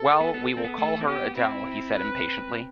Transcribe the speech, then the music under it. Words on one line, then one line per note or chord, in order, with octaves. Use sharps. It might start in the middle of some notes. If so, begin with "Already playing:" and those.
"Well, we will call her Adele," he said impatiently.
Already playing: A4
B3
B3
C4
B3
A3 A4
C4
B3 G4
C4 E4
B4